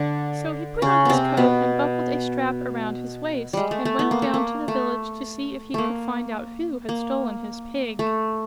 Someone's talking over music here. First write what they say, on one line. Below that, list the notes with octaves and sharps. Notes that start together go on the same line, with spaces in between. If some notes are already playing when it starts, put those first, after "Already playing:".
So he put on his coat and buckled a strap around his waist, and went down to the village to see if he could find out who had stolen his pig.
Already playing: D3 D4
C#3 C#4
C3 B3 C4
B2 B3
G3 G#3
A3
A3
B3
A#3
A3
A#3
A3
A3 A#3
A#3
A3